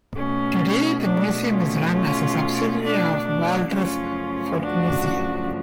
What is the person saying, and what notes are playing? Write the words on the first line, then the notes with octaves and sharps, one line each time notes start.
Today the museum is run as a subsidiary of Valdres Folkemuseum.
B2 A3 C#4
D4
C#4 F4
C#4 F4
D4
D4
F#2 C#3 F3 A3 C#4 F4
D4 F#4